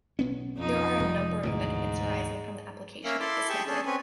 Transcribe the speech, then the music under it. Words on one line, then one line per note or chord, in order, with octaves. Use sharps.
There are a number of benefits arising from the application of this method.
B1 B3 C#4
F2 D#4
F1
D2 G#2 B2 E3
A#3 C#4 A#4 E5 F5
E4 A4 B5 C6 D6
G4 G#4 G5 A5 B5 C#6
C#4 D4 G#4 A4
C4 C#4 B4 C#5 G#5